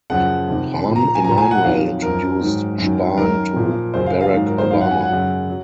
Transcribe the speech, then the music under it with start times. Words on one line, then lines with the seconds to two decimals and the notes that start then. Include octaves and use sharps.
Rahm Emanuel introduced Spahn to Barack Obama.
0.10 F#2 C#3 F3 F#5
0.48 F2 C3 D#3
0.86 A#2 F3
0.96 A#5
1.15 G#5
1.24 A#2 F3 A#5
1.38 G#5
1.51 F#5
1.63 F2 D#3 F#3 F5
2.02 F#2 F3 A#4
2.41 G#2 D#3 F#3
2.78 F#2 D#3 F#3
3.17 F#2 D#3 F#3 A#4
3.56 A#2 F3
3.94 F#2 C#3 F#3 C5
4.06 F5
4.21 F5
4.33 G#2 D#3 F#3
4.46 A#4
4.58 C5
4.71 F#2 D#3 F#3 F5
4.81 F#5
4.91 G#5
5.01 F#5
5.09 F#2 C#3 F#3
5.48 F#3